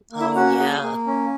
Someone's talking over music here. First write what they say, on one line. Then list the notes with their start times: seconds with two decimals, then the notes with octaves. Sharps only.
Oh, yeah.
0.12 A#3
0.20 E4 E5
0.36 C#4 F#4 F#5
0.60 G#4
0.83 A#3
1.07 C#4